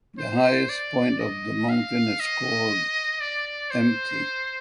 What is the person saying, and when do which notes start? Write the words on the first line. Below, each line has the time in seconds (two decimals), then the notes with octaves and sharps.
The highest point of the mountain is called Mt.
0.18 C5
0.69 D5
1.19 D#5
1.69 F5
2.20 D#5
3.20 D5
3.71 C5